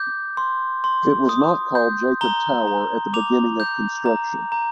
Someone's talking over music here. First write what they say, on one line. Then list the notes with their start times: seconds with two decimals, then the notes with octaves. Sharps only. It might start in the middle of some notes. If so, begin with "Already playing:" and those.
It was not called Jakob Tower at the beginning of construction.
Already playing: D6 G6
0.37 C6
0.84 C6
1.29 D#6
1.75 G6
2.21 A#5 G7
2.67 A#5
3.14 D6 F7
3.60 G6
4.06 A#5
4.52 A#5